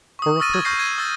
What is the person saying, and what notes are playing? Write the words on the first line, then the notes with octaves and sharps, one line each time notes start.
For a purpose.
C#6 D#6
C#6 E6 F6 A6 A#6 D#7
G#6
C#6 F6 G6 A#6 C7
G#6 D#7
E6 A6